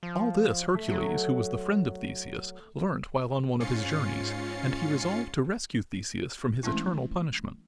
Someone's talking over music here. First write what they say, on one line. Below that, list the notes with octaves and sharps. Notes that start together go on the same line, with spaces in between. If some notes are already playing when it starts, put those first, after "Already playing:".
All this Hercules, who was the friend of Theseus, learnt while on one of his journeys, and he resolved to rescue Theseus from his eternal punishment.
F3
A3
F#3
G#2 C#4 F4 A6 C7 C#7
E3 G#3 A3 C4 C#4 E4